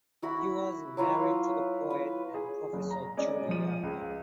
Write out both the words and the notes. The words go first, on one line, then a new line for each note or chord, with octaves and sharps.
He was married to the poet and professor Judy Yarnall.
E4 F#4 B5
F#3 E4 F4 B4
B4
G#4
F#1
A#5
G#3 C#4 D5 D#5
F3 D#7
C#2